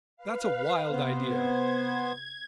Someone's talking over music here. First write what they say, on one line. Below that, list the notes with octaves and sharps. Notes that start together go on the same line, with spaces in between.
That's a wild idea.
B4 F5
C3 B3 C5
G#6